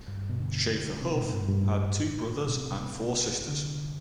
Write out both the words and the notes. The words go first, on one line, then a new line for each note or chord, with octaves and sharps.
Schaeffer Huff had two brothers and four sisters.
G2
B2
D3
C3
B2
A2
G2
G2
A2
B2
C3
D3